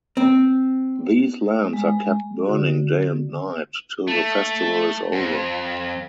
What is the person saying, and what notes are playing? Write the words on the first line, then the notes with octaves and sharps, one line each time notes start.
These lamps are kept burning day and night till the festival is over.
C4
G#3
D3 F#4
A3
F2